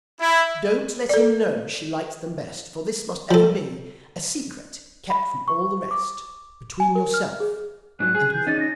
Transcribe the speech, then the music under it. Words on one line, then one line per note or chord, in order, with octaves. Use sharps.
Don't let him know she liked them best, For this must ever be A secret, kept from all the rest, Between yourself and me.'
E4
A4 D5
F3 A4
B5
C#6
D6
G#5
A#4
F6
G#4
G#2 F#3 F#6
G#4
G6
C#4 D#4 A6
A#6